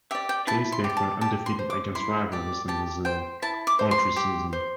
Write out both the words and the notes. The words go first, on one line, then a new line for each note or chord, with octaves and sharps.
Case Tech went undefeated against rival Western Reserve all three seasons.
G4 D5 E5
G5
E4 A5
C6
G4
D5
A5
G4 A5
C6
C5
D6
E4 C6
G4 D5
G4 A5
C5 G5
E4 A5
D6
C5
C6
G4
C5